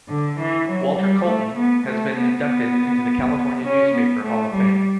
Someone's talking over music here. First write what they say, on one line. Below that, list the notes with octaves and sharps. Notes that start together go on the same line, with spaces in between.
Walter Colton has been inducted into the California Newspaper Hall of Fame.
D3
E3
F#3
G3
A3
B3
A3
B3
B3
C#4
B3
A3
G3